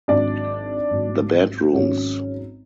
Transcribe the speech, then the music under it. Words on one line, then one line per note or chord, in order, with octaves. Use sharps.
The bedrooms.
G#1 G#2 F#3 D4 D5
G#1 G#2 F#3
G#1 G#2 F#3 C#4 C#5